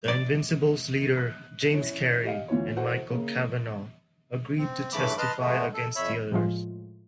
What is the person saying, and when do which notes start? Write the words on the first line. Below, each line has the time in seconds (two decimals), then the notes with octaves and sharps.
The Invincibles' leader, James Carey, and Michael Kavanagh agreed to testify against the others.
0.08 D5
1.17 F#6
1.74 C#4 E4
2.24 G4 D#5 F5
2.48 D2 E3 F4 C#5
2.76 E4 F#4 A4 C5 F#5
3.09 C#3 A#3
4.58 C4
4.93 G2 C#3 E3 A3 B5 D6
5.18 B4 D#5 A5 C6 F6
5.39 B2 G#3 A3 B3
5.74 A4
5.96 F2 C#5 E5 B5 E6
6.32 A2 F3 G#3 F4